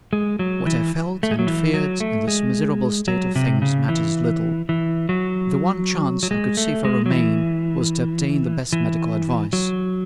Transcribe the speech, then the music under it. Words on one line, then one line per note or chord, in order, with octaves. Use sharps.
What I felt and feared in this miserable state of things matters little. The one chance I could see for Romayne was to obtain the best medical advice.
G#3
F#3
E3
A3
G#3
F#3
E3
F#3
A3
G#3
F#3
C3
C#3
E3
E3
F#3
F#3
G#3
A3
G#3
F#3
E3
E3
F#3